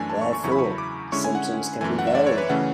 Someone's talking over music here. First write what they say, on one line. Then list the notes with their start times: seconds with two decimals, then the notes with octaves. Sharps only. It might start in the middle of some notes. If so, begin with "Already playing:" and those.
Therefore, symptoms can be variable.
Already playing: F#2 E3 A3 D4 G#5
0.10 A5
0.22 C#6
0.33 C#6
0.44 E2 C#3 F#3 C#4 E4 C#6
0.52 B5
0.59 C#6
0.78 D6
1.12 D3 G#3 C#4 E4 C#6
1.24 G#5
1.35 F#5
1.81 F#2 E3 A3 G#5
1.99 F#5
2.07 E5
2.15 D5
2.27 C#5
2.38 B4
2.49 C#3 E3 A3 C#4 F#5